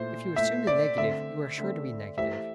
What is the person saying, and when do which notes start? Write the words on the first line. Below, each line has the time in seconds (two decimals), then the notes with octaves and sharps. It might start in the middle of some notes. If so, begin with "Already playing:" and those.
If you assume the negative you are sure to be negative.
Already playing: A#2 A3 E4 C5
0.36 A#2 A3 E4 E5
0.67 D5
0.97 D3 A3 C4 E5
1.58 D3 A3 C4
2.18 E3 A3 E4 G4 C5 E5